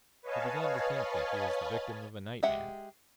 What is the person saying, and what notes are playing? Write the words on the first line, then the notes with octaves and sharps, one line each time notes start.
He began to think that he was the victim of a nightmare.
B4 C#5 D#5 F5 G#5 A5
G#3 G4 E5 F#5